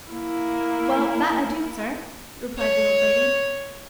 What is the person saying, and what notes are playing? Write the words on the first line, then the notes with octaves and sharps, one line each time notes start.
'Well, that I do, sir,' replied the old lady.
A#3 E4
C#5